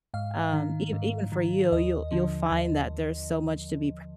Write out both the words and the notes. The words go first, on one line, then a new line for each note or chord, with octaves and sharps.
um, ev even for you, you'll you'll find that there's so much to be
G#2 F5
D#3
G#2
D#3
D#2 D#5
D3 F3
D#2